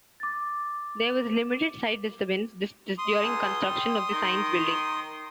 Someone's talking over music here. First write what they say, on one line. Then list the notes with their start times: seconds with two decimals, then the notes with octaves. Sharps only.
There was limited site disturbance during construction of the science building.
0.20 D6 A6
2.98 C6 D#6
3.21 C#2
3.64 G3
4.12 D#3